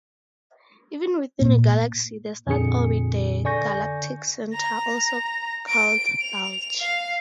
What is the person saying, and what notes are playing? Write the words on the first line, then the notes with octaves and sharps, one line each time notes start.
Even within a galaxy, the stars orbit the galactic center, also called bulge.
A#2
F2 A#2 D3 D4 G#4 C#7
D3 D5 G#5 C#6 G6 A#6
A#5
D7
F7
F5